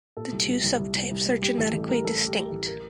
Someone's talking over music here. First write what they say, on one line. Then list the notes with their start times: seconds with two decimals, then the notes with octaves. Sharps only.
The two subtypes are genetically distinct.
0.17 A#2 A4
0.32 C2
0.48 C2
0.64 C2
0.79 C2
0.95 C2
1.11 C2
1.26 G3
1.42 G3 G4
1.58 A1 A4
1.73 A1 A4
1.89 G3 A#4
2.05 G3 A4
2.21 A2
2.26 G4
2.36 G3
2.47 A1 A4
2.67 A#4